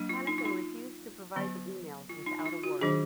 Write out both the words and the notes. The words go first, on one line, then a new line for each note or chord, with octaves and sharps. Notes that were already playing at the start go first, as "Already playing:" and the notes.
Hanafin refused to provide the emails without a warrant.
Already playing: F#3 A#3 D4
F4
D#4
F4
D#4
D3 F#3 B3
F4
D#4
D#4
F4
F#4
D#3 F#3 D4 G#4